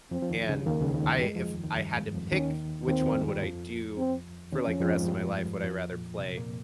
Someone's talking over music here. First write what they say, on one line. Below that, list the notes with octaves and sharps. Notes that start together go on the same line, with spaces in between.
and I if I had to pick which one would I do for, like, the rest of my life, would I rather play
F2 F3 C4
F3
D#2 D#3
C#2 C#3
D#2 D#3 A#3
C#2 C#3
D#2 D#3
G2 G3
G2 G3 G#3
F2 F3
D#2 D#3
D#2 D#3
G2 G3
G#2 G#3
F2 F3
D#2 D#3 C#4
D#2 D#3 C4
F2 F3
G3
G#2 G#3
G2 G3
F2 F3
C4
D#2 D#3 C#4
F2 F3
F2 F3
G#2 G#3
G2 G3
F2 F3
A#2
C3
A#2 A#3